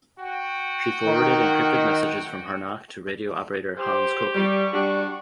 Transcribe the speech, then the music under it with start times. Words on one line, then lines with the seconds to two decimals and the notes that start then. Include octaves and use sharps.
She forwarded encrypted messages from Harnack to radio operator Hans Coppi.
0.19 F#4 G5
1.05 D#3
3.78 G4 C5
4.35 G3 C#6
4.74 G3 D4 F#4